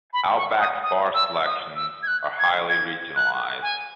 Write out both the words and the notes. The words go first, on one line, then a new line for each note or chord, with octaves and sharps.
Outback's bar selections are highly regionalized.
B5
C#6
D#6
D#6
E6
D#6
E6
G#6
F#6
G#6
G#6
F#6
G#5